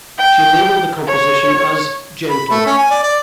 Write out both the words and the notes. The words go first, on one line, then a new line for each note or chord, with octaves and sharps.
She labelled the composition as "gentle".
G5
C#5
B5
A3
C#4
G#5
D5
D5